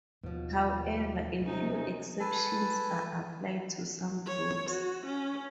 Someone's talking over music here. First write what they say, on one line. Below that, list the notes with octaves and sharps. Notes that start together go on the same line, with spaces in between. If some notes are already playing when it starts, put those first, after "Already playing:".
However, a few exceptions are applied to some groups.
D#2 B2 F3
C3 G3 C#4 D#4
A4 B4 G#5 A5
C#5
F#4
C#4